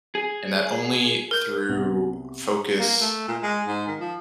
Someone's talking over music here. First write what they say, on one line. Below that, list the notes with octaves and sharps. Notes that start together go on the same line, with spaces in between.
And that only through focus
G#4
A#4 G6
C2 B3
A#3
A3
A#2
G#3
G#2
D#3
F3